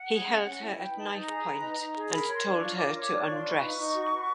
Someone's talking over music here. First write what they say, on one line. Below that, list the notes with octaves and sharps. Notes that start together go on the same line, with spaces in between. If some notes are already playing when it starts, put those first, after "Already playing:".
He held her at knifepoint and told her to undress.
Already playing: F#5
G#4
C#4
C#4
E4
G#5
B4 G5
D#4 A5
D#4
A#5
G#4
B4
D#4
D#4
G#4
A#4 B5
C#5
C6
D4
C#6
F4
A#4 D6
C#5
D6
D4
F4 C#6
C6
B4 C#6
D#4
D#4
F#4
B4